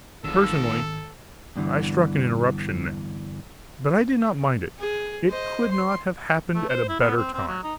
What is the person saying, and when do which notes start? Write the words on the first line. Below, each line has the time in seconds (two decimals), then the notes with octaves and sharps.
Personally, I struck an interruption, now, but I did not mind it, it could not have happened at a better time.
0.24 G#1 D#3 F4 A4 E6
1.56 E2 G2 D3 E3
4.80 G#4
5.29 C5 D#5
5.71 C6
6.55 A3
6.69 C5
6.89 E4
7.00 B3
7.17 C4
7.34 C4
7.48 F#3
7.63 D#4